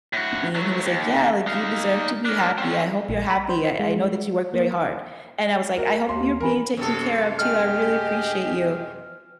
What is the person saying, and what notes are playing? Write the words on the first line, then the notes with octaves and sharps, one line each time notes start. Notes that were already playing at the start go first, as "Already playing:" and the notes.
me." And he was like, "Yeah," like, "you deserve to be happy, I hope you're happy, I I know that you work very hard." And I was like, "I hope you're being taken care of, too, I really appreciate you."
A2 F#4
F#3 A3
D#2
D#4 F5
D4 A#4
C4 C#4
A#1
B5
C5
C5
G#3
A#3
F#4 A#4
D#2 C6
E3 A#4
F#2 C3 A4
G4 G#4 D#5 F6